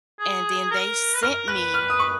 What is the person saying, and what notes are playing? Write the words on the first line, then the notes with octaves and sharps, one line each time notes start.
and then they sent me,
G#4
A#4
B4
A#4 F6
B4 F#6
F6
D#6
C#6